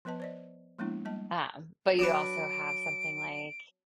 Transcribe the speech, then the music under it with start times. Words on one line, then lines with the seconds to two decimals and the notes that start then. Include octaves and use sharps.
um, but you also have something like
0.05 F3 B3 B4 D#5 A5
0.20 C5 D5 D#5
0.79 F3 G#3 A#3 B3 D4 E4
1.05 G3 A#3 D#5 A5
1.99 F#3 D4 B4 D7